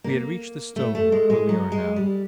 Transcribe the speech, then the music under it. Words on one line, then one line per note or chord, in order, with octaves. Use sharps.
We had reached the stone where we are now.
A#3
A3
A3
G#3
G#3
F#3
G#3
G3